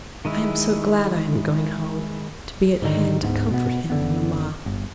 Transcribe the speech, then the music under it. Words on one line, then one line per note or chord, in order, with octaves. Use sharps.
I am so glad I am going home, to be at hand to comfort him and mamma.
D#3 G#3 E4
G#2 D3 D#3
D1 G#2 A#3 B3
B2 B3
F#1 D3 B3
G1